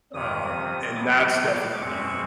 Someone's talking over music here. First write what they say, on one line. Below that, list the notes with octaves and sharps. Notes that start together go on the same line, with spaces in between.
Um, and that's definitely
F2 C3 D#3 D#6
A2 F#3 B3 D6
E2 B2 G#3 C4 C#6